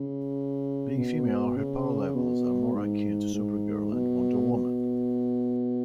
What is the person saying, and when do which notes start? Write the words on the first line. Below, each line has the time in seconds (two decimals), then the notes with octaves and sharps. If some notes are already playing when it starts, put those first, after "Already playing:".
Being female, her power levels are more akin to Supergirl and Wonder Woman.
Already playing: C#3
0.97 B2
1.57 C#3
2.16 B2
2.75 G#2
3.34 G#2
3.93 B2
4.52 B2